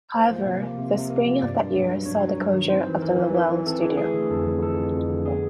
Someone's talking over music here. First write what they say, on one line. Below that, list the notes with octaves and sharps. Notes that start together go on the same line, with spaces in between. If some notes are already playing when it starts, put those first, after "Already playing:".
However, the spring of that year saw the closure of the Lowell studio.
A#3 C5
F3
C3
A#3
C3
C3
A#3
F3
G2 D5
G2
G2
F#3
G2 C#5
F#3
G2
D#3
C4 C5
E3
E3 A#4
E3
E3
E3
C4 A4
E3 G#4
A3 G#4
D3
F2 A4
F2
F2 A4
F2
F2
D3
B3 G#4